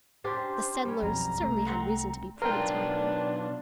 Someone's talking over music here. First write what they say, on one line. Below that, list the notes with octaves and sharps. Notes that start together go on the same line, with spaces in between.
The settlers certainly had reason to be pretty tired.
C#4 D4 G4 C5
G3 C#4
B1 F2 A#5
C2 A3
C4 F#5
B1 D4 F4 A#4 G5